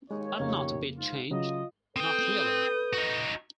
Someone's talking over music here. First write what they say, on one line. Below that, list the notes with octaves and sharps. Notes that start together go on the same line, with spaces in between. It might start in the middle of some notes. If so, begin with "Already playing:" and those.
I’m not a bit changed — not really.
D#2 G#3 D#4 C#5
F2 C#3 A#3
G#2 F4
C#3 F#3 F4 D#5
C4 A4 B4 G5 D#6 G6
D#4 F#4